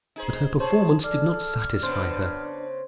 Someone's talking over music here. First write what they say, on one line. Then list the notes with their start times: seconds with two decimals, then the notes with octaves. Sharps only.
But her performance did not satisfy her.
0.16 D#4 G#4 C5
0.60 G#4 C5 C#5 A5
1.04 A4 D5 F6
1.83 C#3 B3 D4 C5